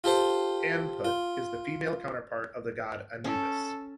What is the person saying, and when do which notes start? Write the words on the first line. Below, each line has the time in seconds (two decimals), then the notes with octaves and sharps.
Anput is a female counterpart of the god Anubis.
0.04 F4 G4 A4 C5 G5
1.05 F4
3.24 C#4 A4